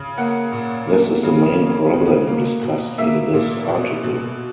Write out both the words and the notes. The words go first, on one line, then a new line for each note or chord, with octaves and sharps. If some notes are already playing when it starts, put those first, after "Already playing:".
This is the main problem discussed in this article.
Already playing: C#3
A#3 F#5
A#2
A#3
C#3
A#3
B2
A#3
B2
A#3 E5
A#2
B2
B2